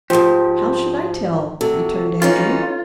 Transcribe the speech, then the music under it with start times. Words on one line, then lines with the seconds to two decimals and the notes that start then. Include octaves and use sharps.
"How should I tell?" returned Andrew.
0.10 D2 G#2 F3 F4 G4 G#4 C5
1.61 C3 F#4 A4
2.22 E3 C#4 D#4 F4